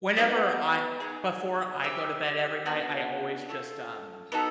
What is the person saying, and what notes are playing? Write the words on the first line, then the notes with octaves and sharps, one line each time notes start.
whenever I before I go to bed every night, I always just, um,
B3 D#4 F#4 B4
B3 D#4 G#4
G4 C5 E5 G5
B3 D4 F#4
A3 C#4 F4
B3 D#4 F#4 A4